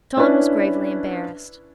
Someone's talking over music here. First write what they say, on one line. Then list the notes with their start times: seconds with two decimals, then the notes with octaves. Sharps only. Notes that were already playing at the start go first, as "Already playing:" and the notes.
John was gravely embarrassed.
0.17 C#4 D4 E4 B4